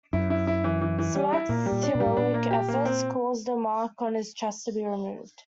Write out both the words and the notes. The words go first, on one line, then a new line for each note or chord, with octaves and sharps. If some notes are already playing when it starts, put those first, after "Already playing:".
Smax's heroic efforts cause the mark on his chest to be removed.
F#2 E4
E4
E4
E3
E3
E3
G3
E4
A#2 A#3
G3
A#2
D4
B2
G3
A2
A#2 D4
A#3
G4
A#3
C4